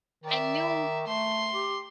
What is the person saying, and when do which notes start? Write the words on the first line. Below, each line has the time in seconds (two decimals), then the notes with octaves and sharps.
I knew him
0.24 D#3 D5 E5
1.07 A3 C6
1.54 G4